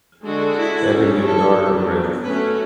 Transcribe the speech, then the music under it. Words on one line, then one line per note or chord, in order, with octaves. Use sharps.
Effie was the daughter of the Rev.
D3 G#3 D4 F#4 A4
E4
F#3 C#4 E4 G#4
A4
F#3 B3 D4 G#4
A3 C#4 F#4 B4